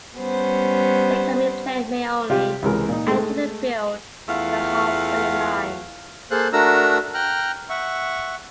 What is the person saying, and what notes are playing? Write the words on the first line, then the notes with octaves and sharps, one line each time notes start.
The incoming player may only enter the field at the half-way line.
G3 B3 C#4 C5
C3 G3 F4 G4
C#2 C3 E3 G#3 A#4
A#2 D#4
G#3 A3
E2 A3 F4 F5 F#5
A#3 G#4 A4 C5 F5 F#6
A3 D4 F#4 A#4 A#5 E6
G5 A#5 F6 F#6
E5 F#5 C#6